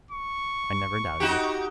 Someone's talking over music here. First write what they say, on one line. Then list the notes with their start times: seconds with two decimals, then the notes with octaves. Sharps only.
"I never doubted it."
0.11 C#6
1.20 D#4 F#4 G4